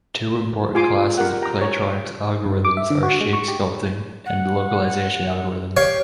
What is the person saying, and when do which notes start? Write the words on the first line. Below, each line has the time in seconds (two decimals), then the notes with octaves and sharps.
Two important classes of claytronics algorithms are shape sculpting and localization algorithms.
0.75 F4 G4 G#4 G#5 C6 D6
1.17 G4 A#4 F#5
1.42 G5 A#5
1.61 C#5
2.46 G2
2.65 D6
2.77 E5
2.90 D3
3.03 F#4
3.21 G#3
3.33 C#6
3.48 G4
4.26 F#5
5.77 G4 C#5 F5 C#6